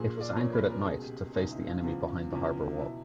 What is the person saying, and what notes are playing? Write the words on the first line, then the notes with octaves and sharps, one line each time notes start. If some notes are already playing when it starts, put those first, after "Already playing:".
It was anchored at night to face the enemy behind the harbour wall.
Already playing: A#1 A#2 F3 G#4
D5
A#1 A#2 F3 C#5
B4
A#4
C#2 B2 G#4
G4
C#2 B2 D#4
E4
F4
E2 C#3 F3
E2 C#3 F3
B2 E4